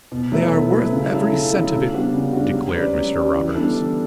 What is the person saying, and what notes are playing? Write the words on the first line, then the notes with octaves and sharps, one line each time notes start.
"They are worth every cent of it," declared Mr. Roberts.
B2
F#3 A3 E4 B4
B2
F#3 A3 E4 B4
C#3
F#3 A3 E4 A4
C#3
F#3 A3 E4 A4
C#3
G3 B3 D4 F#4
C#3
G3 B3 D4 F#4
F#3
C#4 G4 B4 D5
F#3
C#4 G4 B4 D5
E3
G3 B3 D4 A4
E3